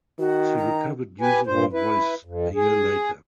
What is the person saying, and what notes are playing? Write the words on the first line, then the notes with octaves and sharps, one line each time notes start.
She recovered use of her voice a year later.
D#3 F#4
A#5
G4 B4 G#5
G2 A#2 C5
E4 B4
F2
G#4